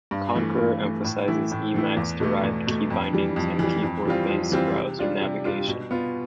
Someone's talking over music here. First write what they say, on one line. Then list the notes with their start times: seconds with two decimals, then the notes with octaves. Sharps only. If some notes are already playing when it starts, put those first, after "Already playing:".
Conkeror emphasizes Emacs-derived key bindings and keyboard-based browser navigation.
0.11 G2
0.35 E3 A3
0.58 G2
0.81 E3 A3
1.04 A2
1.28 E3 A3 E4
1.51 A2
1.74 E3 A3 E4
1.97 E2
2.20 B2 A3
2.44 E2
2.67 B2 A3
2.90 F2
3.13 E3 G3
3.36 F2
3.59 E3 G3
3.83 F2
4.05 E3 G3 C4 F4
4.29 F2
4.52 E3 G3 C4 F4
4.75 C3
4.99 G3 D4 F4
5.21 C3
5.45 G3 D4 F4
5.68 B2
5.91 B3 F4